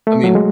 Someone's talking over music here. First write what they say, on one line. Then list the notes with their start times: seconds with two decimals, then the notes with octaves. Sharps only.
I mean
0.07 A3
0.24 F#3
0.35 G#3